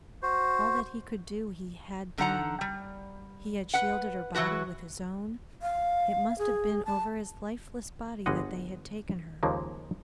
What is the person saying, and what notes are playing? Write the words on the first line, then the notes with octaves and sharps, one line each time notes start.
All that he could do he had done, he had shielded her body with his own, it must have been over his lifeless body that they had taken her.
F#4 C5
D3 D#4 F#5 A#5
G3
B4 F#5
E3 F#3 F#4 B4
F5
G#4
A5
G1 G3 G#3 G#4 D#5 F#5
D#2 C#3 F3 G#3 A#3